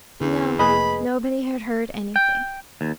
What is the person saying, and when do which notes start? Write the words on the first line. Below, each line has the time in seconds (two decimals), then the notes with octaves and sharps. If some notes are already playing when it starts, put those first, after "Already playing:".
No, nobody had heard anything.
0.21 E2 D3
0.59 F1 A#3 G#4 B4 D#5 B5
2.16 G5
2.81 D#2